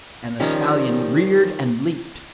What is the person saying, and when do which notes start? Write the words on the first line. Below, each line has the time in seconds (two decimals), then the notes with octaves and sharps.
And the stallion reared and leaped.
0.40 D#3 F3 G3 C#4